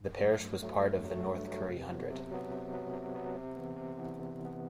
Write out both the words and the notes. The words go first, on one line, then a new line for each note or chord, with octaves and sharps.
The parish was part of the North Curry Hundred.
G2
F#3 A3
G2
F#3 A3
G2
F#3 A3
G2
F#3 A3
C3
F#3 B3
C3
F#3 B3
C3
F#3 B3
C3
F#3 B3
C3
E3 B3
C3
E3 B3
C3
E3 B3